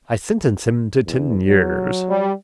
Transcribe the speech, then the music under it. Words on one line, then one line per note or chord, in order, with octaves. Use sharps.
I sentenced him to ten years.
E2
F#3
G3